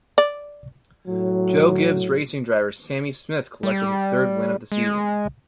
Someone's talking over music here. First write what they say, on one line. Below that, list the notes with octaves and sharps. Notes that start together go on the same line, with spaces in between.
Joe Gibbs Racing driver Sammy Smith collected his third win of the season.
D5
A2 F#3
G3
G#3